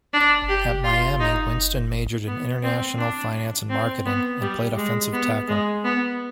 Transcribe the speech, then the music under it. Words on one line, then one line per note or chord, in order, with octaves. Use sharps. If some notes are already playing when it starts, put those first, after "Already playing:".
At Miami, Winston majored in International Finance and Marketing and played offensive tackle.
D4
G4
F4
D#4
B3
C4
D4
C4
B3
G3
G#3
B3
G#3
B3